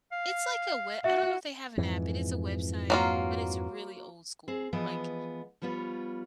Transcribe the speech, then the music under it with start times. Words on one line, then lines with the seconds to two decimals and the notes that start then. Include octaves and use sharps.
It's like a we I don't know if they have an app. It is a website, but it's really old-school. Like,
0.12 F5
1.04 F#4 E5
1.77 F2 G#2 E3
2.90 F#3 A#3 F4
4.48 C4 G#4
4.73 E3 F3 G#3 B3 D#5
5.62 F3 G3 B3 F4 C#5